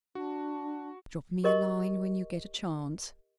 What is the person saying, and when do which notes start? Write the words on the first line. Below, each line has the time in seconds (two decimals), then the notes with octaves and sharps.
"Drop me a line when you get a chance."
0.15 D4 F#4
1.44 G4 A#4 D#5 C#6